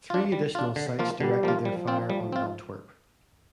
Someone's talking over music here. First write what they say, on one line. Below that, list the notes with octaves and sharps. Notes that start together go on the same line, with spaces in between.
Three additional sites directed their fire on Antwerp.
D4 F4
G3
D4 F4
D3
F3 A#3 F4
D3 G3
F3 A#3 F4
F3 G3
C4 F4
G3
C4 F4